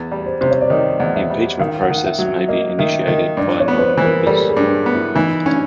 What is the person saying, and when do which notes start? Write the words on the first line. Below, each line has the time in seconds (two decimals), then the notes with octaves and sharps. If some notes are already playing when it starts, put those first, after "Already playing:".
The impeachment process may be initiated by non-members.
Already playing: E2
0.12 G3
0.26 C5
0.41 C3 C5
0.51 C#5
0.61 D5
0.70 D#3 D#5
1.00 E2
1.15 E5
1.30 G3
1.59 D#3 F5
1.82 F#5
1.90 D#3
2.05 E5
2.19 F#3
2.26 E5
2.48 A#3 D#5
2.78 D#3 E5
3.08 D#3 D#5
3.37 G2 D5
3.60 C#5
3.68 B3
3.79 B4
3.82 C5
3.97 E3
4.04 A#4
4.27 G3 A4
4.49 G#4
4.57 G2
4.86 B3
4.93 E4
5.16 E3 D#4
5.46 C#4 D4